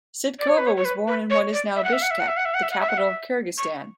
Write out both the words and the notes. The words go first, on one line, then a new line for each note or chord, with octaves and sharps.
Sydykova was born in what is now Bishkek, the capital of Kyrgyzstan.
D5
C#5
B4
C#5
C#5
B4
B4
C#5
D5
E5
F#5
E5
F#5
E5
F#5
E5
F#5
E5
F#5
E5
F#5
E5
F#5
E5
C#6